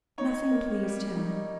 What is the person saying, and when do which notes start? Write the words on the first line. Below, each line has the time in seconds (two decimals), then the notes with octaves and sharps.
Nothing pleased him.
0.18 D#4 C#5
0.51 A#3
0.83 G3
1.16 D#4